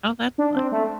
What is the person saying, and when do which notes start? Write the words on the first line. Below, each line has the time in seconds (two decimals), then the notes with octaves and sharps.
Oh, that's fine.
0.38 D4
0.56 C4
0.72 A3